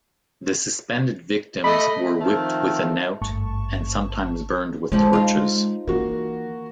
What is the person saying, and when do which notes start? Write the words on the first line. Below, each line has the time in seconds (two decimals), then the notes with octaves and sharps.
The suspended victims were whipped with a knout and sometimes burned with torches.
1.64 A3 D#5 B5
2.21 D#3 F3 A3 C4
3.22 G#1 G2 A3 A5 C#6
4.92 D3 F3 G#3 C#4
5.13 D#4 F4
5.87 E3 A#3 F#4